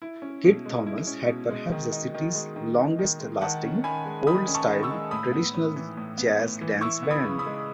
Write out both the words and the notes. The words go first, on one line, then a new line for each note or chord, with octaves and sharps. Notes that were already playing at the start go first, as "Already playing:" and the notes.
Kid Thomas had perhaps the city's longest lasting old-style traditional jazz dance band.
E4
C#4
B2
G#3
E4
C#4
B2
G#3
D#3
D#4
D#3
G#3
D#3
D#4
D#3
G#3
D#3 F#5 A5
C#4
D#3 G#5 B5
G#3
D#3 B5 D#6
C#4
A5 C#6
D#3
C#6 E6
G#3
A2 B5 D#6
B3
A2
E3
A2
B3
A2
E3
E4 C#6 E6
B3
B5 D#6
C#3
B5 D#6
G#3